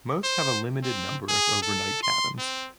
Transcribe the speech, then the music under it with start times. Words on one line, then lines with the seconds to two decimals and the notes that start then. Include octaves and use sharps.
Most have a limited number of overnight cabins.
0.24 C5
0.83 C4
1.28 G#4
1.62 A4
2.03 C6
2.38 C4